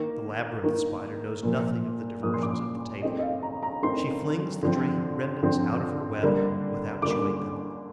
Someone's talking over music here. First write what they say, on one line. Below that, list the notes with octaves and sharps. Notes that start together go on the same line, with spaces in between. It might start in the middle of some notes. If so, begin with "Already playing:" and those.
The Labyrinth Spider knows nothing of the diversions of the table; she flings the drained remnants out of her web, without chewing them.
Already playing: D#3 A#3
D#3 A#3
A#2 F3 A#3
A#2 F3 A#3 D#6
C6
D6
D#3 A3 C4 D#5
D#5
F5
A#5
A#5
D#3 A3 C4 C6
D3 F3 C4
D3 F3 C4
D3 G3 A#3
D3 G3 A#3 D6